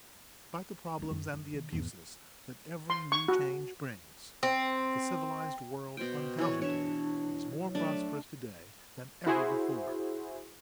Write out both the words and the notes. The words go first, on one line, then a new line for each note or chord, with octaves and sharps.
Despite the problems and the abuses that every new change brings, the civilized world undoubtedly is more prosperous to-day than ever before.
D2 C#4
F#2 D#3
F#2
D#3
E2 G#2
C6
C#6
F#4
C4
B2 C5 G5
E3 C#5
D4 C#5 E5
F#3
A3 D4
E4 F#4 G#4 C5